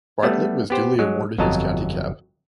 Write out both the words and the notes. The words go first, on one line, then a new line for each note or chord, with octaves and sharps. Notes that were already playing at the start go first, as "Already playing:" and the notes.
Bartlett was duly awarded his county cap.
G3 A3 B3
B3 G4 C5
F#3 G#3
G1 F2 F#3 D#5 A5 A#5